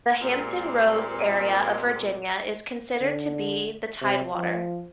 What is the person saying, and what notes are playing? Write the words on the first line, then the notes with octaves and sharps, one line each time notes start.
The Hampton Roads area of Virginia is considered to be in the Tidewater.
A#2 G#3 A#3 C4 G4 D5
D3
C3
F3